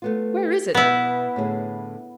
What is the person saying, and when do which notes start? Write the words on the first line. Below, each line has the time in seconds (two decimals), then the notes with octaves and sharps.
"Where is it?"
0.02 A3 B3 F4
0.75 B2 B3 E4
1.36 A2 D3 G#4